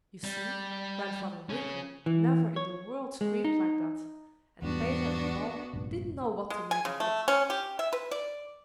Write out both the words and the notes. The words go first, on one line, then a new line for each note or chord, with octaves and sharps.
You see, Grandfather Winkle never in the world screamed like that, and Peter and Paul didn't know what to make of it.
G3
C#3 C#4
E3
C#5
G#3
D#4
E2 G#2 G3 B3 D4 F#4
F1 A#1 G2
G#3
G#5
C#3
A3
C#4
G4
E5
B4
D5